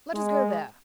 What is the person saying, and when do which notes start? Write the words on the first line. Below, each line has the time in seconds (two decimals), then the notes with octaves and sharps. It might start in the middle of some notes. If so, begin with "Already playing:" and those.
Let us go there!
0.13 G#3